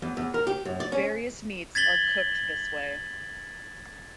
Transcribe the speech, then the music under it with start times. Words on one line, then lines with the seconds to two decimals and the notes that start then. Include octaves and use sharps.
Various meats are cooked this way.
0.02 E2
0.17 E2
0.34 A#4
0.47 G4
0.65 F#2
0.80 D5
0.92 C#4
1.75 G#6 A6 B6 F#7 G7